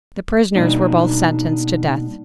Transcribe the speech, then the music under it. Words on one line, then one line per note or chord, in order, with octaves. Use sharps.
The prisoners were both sentenced to death.
B2 G3 A#3 D4 D#4